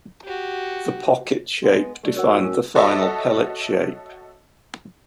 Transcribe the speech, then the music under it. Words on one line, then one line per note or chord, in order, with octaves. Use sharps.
The pocket shape defined the final pellet shape.
F#4 G4
G#3 B3 B4
A3 D4
F#4 A#4 C#5 F#5 E6
A2 C#4
F#4 A4 C#5 D#5 E5 A5